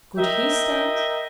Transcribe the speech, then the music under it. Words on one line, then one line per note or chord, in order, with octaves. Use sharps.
Could he stand?
A#4 D#5 E5 G5